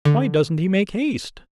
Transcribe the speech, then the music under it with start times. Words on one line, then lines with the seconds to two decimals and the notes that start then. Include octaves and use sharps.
'Why doesn't he make haste!'
0.05 D3